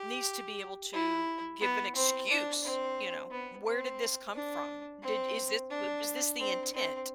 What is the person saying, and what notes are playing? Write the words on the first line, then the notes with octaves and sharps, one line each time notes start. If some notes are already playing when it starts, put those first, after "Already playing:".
needs to be able to give an excuse, you know? "Where did this come from? Did is this w was this the intent,"
Already playing: G4
E4
B3
C4
D4
C4
B3
C4
D4
C4
D4
C4
C4